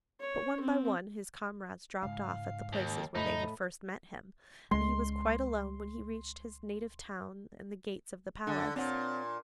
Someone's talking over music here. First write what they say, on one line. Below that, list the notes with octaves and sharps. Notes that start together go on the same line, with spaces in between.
But, one by one, his comrades dropped off at the places where they had first met him, and he was quite alone when he reached his native town and the gates of the palace.
C#5
C4
G#2 C#3 G#3 F5
D#2
F2 A2 C#3 F3 D#4 D#5 B5
C#2 G#3 C6
D3 D4
A#2 C4 C#5 F#5